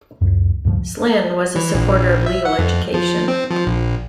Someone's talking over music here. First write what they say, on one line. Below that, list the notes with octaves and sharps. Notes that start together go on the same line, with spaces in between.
Slynn was a supporter of legal education.
C#2 F#2
C#2 G2 E3 F3
E3
A#1
E5
F#5
F2
F3
C4
F3
A#1